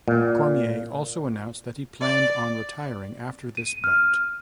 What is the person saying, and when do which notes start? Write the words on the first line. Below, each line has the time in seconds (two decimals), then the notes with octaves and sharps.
Cormier also announced that he planned on retiring after this bout.
0.08 A#2
2.01 D5
3.57 D#7
3.84 F6